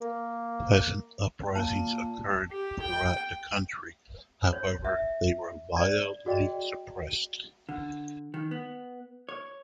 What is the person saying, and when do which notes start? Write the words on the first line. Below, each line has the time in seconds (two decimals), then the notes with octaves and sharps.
Peasant uprisings occurred throughout the country; however, they were violently suppressed.
0.01 A#3
1.55 A#2 A5
2.51 G4
2.82 G5
4.53 C#5
4.85 E5
5.76 D5
6.26 F#4 G#4 B4 D5 D#5 G5
7.69 D3
8.34 D#3
8.51 B3
9.29 C#5